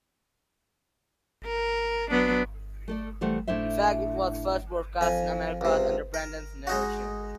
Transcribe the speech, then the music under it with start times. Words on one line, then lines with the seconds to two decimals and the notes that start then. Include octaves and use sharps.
In fact, it was first broadcast in America under Brandon's narration.
1.46 A#4
2.11 F#3 B3 D4
2.88 A3 A4 D5
3.21 E3 G3 A3 C5 F#5
3.48 A2 D4 E4 C5 E5
5.01 F2 G#5
5.61 C#2 C3
6.14 A#4
6.67 G#3 D#4 F#4